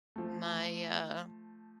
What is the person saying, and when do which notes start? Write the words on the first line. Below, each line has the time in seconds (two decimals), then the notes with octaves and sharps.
my, uh
0.16 F3 A3